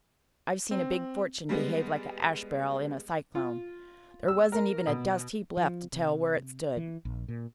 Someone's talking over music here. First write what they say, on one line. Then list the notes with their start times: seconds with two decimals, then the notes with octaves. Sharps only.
I've seen a big fortune behave like an ash-barrel in a cyclone--there wasn't even a dust-heap left to tell where it stood!
0.71 C4
1.49 G3 G#3 B3
3.35 F4
4.28 E6
4.52 A#4
4.87 B2
5.57 F3
5.93 C3
6.77 E3
7.05 A#1
7.28 A#2